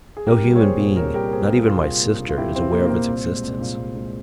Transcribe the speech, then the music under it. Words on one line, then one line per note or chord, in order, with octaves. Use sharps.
No human being, not even my sister, is aware of its existence.
G#4
C2 G4 A#4
G3
C#5
A#3 G#4 C5
A#2
C2 A#4 C#5
G3 G4 A#4
A#4
A#3 G#4 C5
A#2 G4 A#4
C2 F4 G#4
G3
A#3
A#2
F4
C2 E4 G4
G3 C4
A#3
A#3
A#2 C4
C2
G#3
C2
A#2
C2
G#3